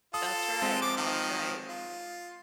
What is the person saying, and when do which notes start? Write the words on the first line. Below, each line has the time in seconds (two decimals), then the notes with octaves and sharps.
That's right, that's right.
0.14 F4 A4 D#6
0.62 G#3 C4
0.82 F3 D6
0.97 D#3 F3
1.68 F4